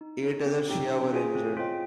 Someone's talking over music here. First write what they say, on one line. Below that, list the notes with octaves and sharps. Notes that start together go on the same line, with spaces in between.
Eight other Shia were injured.
D#4
G#4 C#5
C4
D#4 G4 C#5 G5
C#4
F4 G#4 C#5 G#5
C4
F4 C5 D#5 G5